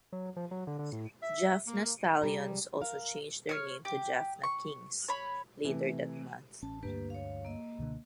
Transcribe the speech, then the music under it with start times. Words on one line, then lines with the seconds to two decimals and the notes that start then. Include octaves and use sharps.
Jaffna Stallions also changed their name to Jaffna Kings later that month.
0.13 F#3
0.37 F3
0.51 F#3
0.67 D3
0.79 D3
0.92 A2
1.22 E5
1.67 A#3
2.22 C3 G3 G#4 A#5
2.81 A#4 F5
3.49 C#5 F6
3.85 G4
4.44 C#6
5.08 C#5 B5
5.64 C3 E3 A3
6.62 A1 C#4 A5
6.83 D2 G2 A#3 D4 G4 B4
7.10 C#5 F5
7.45 A#3 D#5
7.78 C#2 B2 D3